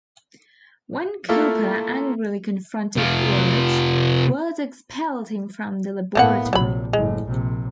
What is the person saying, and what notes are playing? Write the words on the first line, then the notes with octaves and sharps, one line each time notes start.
When Couper angrily confronted Wurtz, Wurtz expelled him from the laboratory.
A3 A#3 E4 F4 A4
C3 F4
A2 E3 A#3 B3 F#5
A#1 C3 F#3 B5
F#1 A2 G#3
A#1 C3